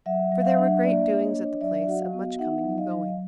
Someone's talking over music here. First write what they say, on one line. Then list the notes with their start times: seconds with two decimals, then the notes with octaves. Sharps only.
For there were great doings at the Place and much coming and going.
0.06 F#3 E5 F#5
0.32 F#3
0.41 F5
0.45 E5 F#5
0.58 D4
0.83 A#3 D5 E5
1.09 D4
1.22 C#5 D#5
1.35 D4
1.61 F#3 D5 E5
1.87 F#4 F#5
2.00 D#5 F5
2.13 B3
2.38 D#4 E5 F#5
2.64 F#3
2.77 D#5 F5
2.91 F#3